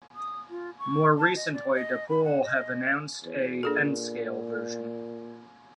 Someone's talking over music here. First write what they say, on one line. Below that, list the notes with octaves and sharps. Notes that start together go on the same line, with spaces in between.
More recently, Dapol have announced a N Scale version.
D#6
F4
C#6
A5
D#5
D5
D#5
B5
F#5
D#5
E2
A#2 D4 G#4 A4